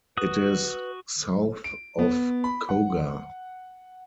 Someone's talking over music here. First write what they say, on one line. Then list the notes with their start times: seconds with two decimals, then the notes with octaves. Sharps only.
It is south of Cogar.
0.17 F#4 B4 D#6
1.64 D7
1.99 B3
2.44 B5
2.69 F#5